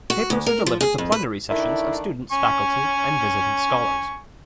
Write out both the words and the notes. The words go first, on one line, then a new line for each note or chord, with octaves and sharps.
Papers are delivered to plenary sessions of students, faculty and visiting scholars.
F#4
D2
A#4
F3
G#4
F2
B4
D#3 A3 D4 E4
G#5 C#6